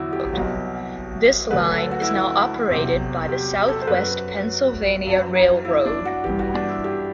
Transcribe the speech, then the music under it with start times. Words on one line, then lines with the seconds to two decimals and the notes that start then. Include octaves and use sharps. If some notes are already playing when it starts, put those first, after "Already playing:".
This line is now operated by the Southwest Pennsylvania Railroad.
Already playing: E2 D3 F#3 E4 F#4
0.13 G4
0.33 C2 B2 F#3
1.51 D2 D3 F#3 B4
1.70 A4
1.91 F#4
2.02 E4
2.13 F#4
2.69 E2 C3 F#3
3.29 G4
3.68 A4
3.82 C5
3.87 F#2 F#3 B4
5.07 F#2 F#3
5.65 E4
5.85 D4
6.05 F#4
6.24 E3 G4
6.29 G2
6.39 F#4
6.54 D4
6.69 E4
6.84 G4